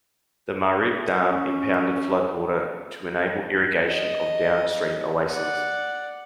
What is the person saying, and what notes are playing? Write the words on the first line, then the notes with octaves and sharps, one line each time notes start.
The Ma'rib dam impounded floodwater to enable irrigation of downstream oases.
C#4
D#5
D5 F#5